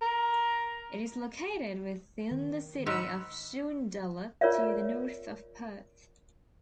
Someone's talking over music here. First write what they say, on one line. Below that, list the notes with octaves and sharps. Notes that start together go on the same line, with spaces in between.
It is located within the City of Joondalup to the north of Perth.
A#4
D#3
G#2 F#5 B5 E6
F4 A#4 C#5 D5 E5